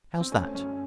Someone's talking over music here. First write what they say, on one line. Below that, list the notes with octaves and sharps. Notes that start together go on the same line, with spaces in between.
How's that?
C4
A3 C#4
F#2 C#4